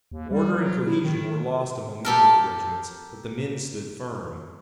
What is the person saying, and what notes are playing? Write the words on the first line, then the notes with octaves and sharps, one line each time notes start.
Order and cohesion were lost among many of the regiments, but the men stood firm.
D#2
G3
F#3
E4
D#3
G4 A4 A#4